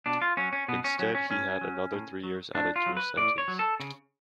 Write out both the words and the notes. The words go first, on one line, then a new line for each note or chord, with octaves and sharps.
Instead, he had another three years added to his sentence.
B2 D4
F4
F#3 C#4
C#4
B2 B3
C#4
F#3 C#4
C#4
A2 C#4
F#3
A2
F#3
A2 D4
F4
F#3
B4
A2 D5
C#5
F#3
A4
C#3